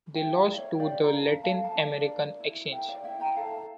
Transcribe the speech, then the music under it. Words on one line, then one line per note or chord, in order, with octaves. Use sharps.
They lost to the Latin American Xchange.
E4 E5 G5
D5 F5
A#4
C#5 E5
G5
G4 D5 F5
A#5
A#4 F5 A5
A4 F5 A5
F5 A5
D4
D5 F5
A#4
E4
A#4 E5 G5
D5 F5
E4 E5 G5
G5 A#5
A4 F5 A5